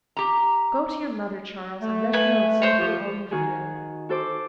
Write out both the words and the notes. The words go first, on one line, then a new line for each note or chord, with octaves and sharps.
Go to your mother, Charles, and let her know exactly all you feel.
G4 A#5
A3
B4 G#5
C5 C#5
F3 F4 G4
D#3 F#4 G#4
F#4 A4 C5 D6